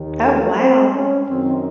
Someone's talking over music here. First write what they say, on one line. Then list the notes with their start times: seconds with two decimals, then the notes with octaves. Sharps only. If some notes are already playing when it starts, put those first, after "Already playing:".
Oh, wow.
Already playing: D#2 D#3
0.25 A3
0.59 C4
0.94 C#4
1.29 F#2 D#3 C4